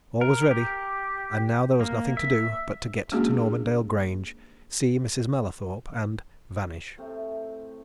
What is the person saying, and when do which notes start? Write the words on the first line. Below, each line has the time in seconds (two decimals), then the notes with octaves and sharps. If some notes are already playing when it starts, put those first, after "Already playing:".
All was ready--and now there was nothing to do but to get to Normandale Grange, see Mrs. Mallathorpe, and--vanish.
0.21 A#4
0.51 G4
1.81 A#3
2.17 E5
3.12 G#3 A#3 C#4 D4 F#4 G#4
6.98 A2 C3 A3 C4